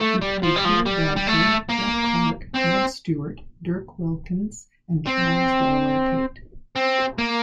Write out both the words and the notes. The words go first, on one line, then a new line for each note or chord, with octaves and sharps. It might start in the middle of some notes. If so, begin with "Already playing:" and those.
He played Peter Bradford, Jeff Clark, Ned Stuart, Dirk Wilkins, and Charles Delaware Tate.
A3
G3
F3
G3
F3
G3
G3
A3
A#3
C4
C4
C4
A#3